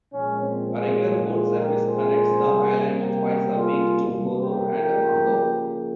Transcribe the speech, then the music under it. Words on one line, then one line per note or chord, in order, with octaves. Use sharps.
A regular boat service connects the island twice a week to Koror and Angaur.
A#2 F3 G#3 C#4
C4
F4 G#4
F4 G#4
G4 A#4
G#4 C5
C3 G3 A#3
G4 A#4
F4 G#4
G4 A#4
C#3 F3 A#3